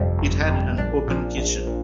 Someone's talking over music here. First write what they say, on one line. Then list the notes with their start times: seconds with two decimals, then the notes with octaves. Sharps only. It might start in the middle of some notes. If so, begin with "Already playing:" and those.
It had an open kitchen.
Already playing: G1 F2 C3 G3 C4
0.19 G1
0.48 F2 C3 G3
0.78 A#1 D4
1.07 A#2 F3
1.37 A#1
1.67 A#2